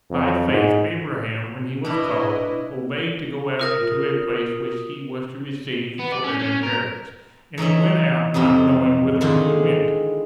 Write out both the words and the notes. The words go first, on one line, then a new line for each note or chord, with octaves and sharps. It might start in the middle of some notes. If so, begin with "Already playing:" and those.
By faith Abraham when he was called, obeyed to go out into a place which he was to receive for an inheritance; and he went out not knowing whither he went.
F2
G#2
B2 D4 E4 D#5
F4 A#4 D#6
B3
D5
C#4
C#4
A#4
E3 D#4 C#5 E5
F2 C3 D#4 E4
D3 D#3 G#3 E4 F4 G#4